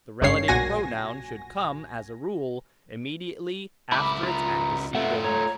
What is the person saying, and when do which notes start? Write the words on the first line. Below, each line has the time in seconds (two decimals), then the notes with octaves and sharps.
The relative pronoun should come, as a rule, immediately after its antecedent.
0.22 G#1 G2 C#3 C#5 C7
0.48 B1 A#2 F#4 G#5 A#6
3.92 C#2 E4 B5 D6
4.23 F4 A#5
4.95 A3 B3 F4 E5 F#5
5.24 C#5 A#5